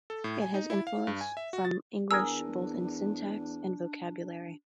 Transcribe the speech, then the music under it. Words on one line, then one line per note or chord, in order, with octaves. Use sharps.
It has influence from English both in syntax and vocabulary.
A4
A2
G#5
D#4
E4
F5
G2
G#5
E5
F#4
A6
E2 D4 G#4 A#4 G#5 E6